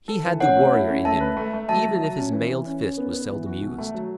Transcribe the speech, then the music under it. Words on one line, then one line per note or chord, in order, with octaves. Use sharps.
He had the warrior in him, even if his mailed fist was seldom used.
A4
E3
C#4 C#5 F#5
A3
E4
C#4
A3 E5 A5
B4
A3
A3
F#3 E5 A5
F#3
F#3
C#4
E3
E3
C#4
C#4
B3
B3
E3
F#4
B2
A3
F#3